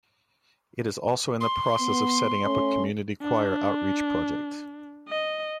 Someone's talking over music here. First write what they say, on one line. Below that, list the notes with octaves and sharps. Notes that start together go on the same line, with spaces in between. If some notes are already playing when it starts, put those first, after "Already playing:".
It is also in the process of setting up a community choir outreach project.
C6
B3
A3 C#4
D4
D#5